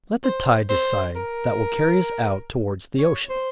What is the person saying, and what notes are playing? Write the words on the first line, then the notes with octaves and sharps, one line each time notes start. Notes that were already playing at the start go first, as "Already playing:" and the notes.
"Let the tide decide; that will carry us out toward the ocean."
C5
C5
A#4
C#5
C5